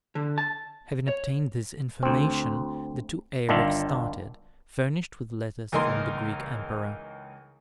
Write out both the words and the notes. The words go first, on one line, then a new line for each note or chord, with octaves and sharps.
Having obtained this information, the two Eireks started, furnished with letters from the Greek Emperor.
D3
A5
C#5
D2 C4
G1 D#3 D4 F4 E5
C#2 E3 A#3 D#4 A#4 C6